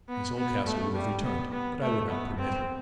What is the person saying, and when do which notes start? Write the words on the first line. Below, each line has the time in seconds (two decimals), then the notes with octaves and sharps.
Miss Oldcastle would have returned, but I would not permit her.
0.09 B3
0.38 B3
0.67 A3
0.95 G3
1.24 B3
1.53 B3
1.82 A3
2.10 B3
2.39 C4